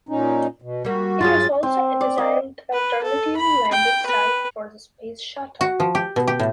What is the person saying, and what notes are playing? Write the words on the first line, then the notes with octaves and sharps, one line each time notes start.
It was also a designated alternative landing site for the Space Shuttle.
A#2 C#4 D#4
B2
G3 A#3 F#4
G2 F#3 F4 G#4 A6
C4
D5
D#5
B4
A4
B5
G5
B4
F#4
F3
G4
B2
G4
A2